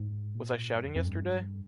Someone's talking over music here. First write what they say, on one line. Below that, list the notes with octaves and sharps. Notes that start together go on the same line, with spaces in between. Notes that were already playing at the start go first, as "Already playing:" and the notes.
Was I shouting yesterday?
Already playing: G#2
A#2
G2
F2
F2
G2